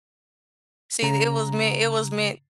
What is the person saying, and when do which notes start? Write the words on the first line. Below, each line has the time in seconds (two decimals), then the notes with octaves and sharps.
See, it was meant it was meant
1.03 C#3 A#5